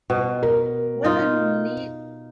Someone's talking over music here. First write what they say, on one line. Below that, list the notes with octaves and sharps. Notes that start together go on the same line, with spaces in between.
What a neat
B2
A#4
D#4 F4